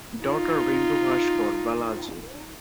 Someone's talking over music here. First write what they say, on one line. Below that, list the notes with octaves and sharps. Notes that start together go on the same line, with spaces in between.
Daughter Bindu Bhaskar Balaji.
D#4 F4